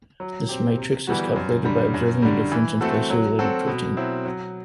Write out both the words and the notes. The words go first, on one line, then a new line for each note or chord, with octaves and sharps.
This matrix is calculated by observing the differences in closely related proteins.
F#3
C4 G4
C3
E3 G3 B3 F#4
F#2
D3 G3
F#2
D3 G3
E3
A3 C4 F#4 A4
F#3
C4 F#4 A4
B2
F#3 C4 E4
F#3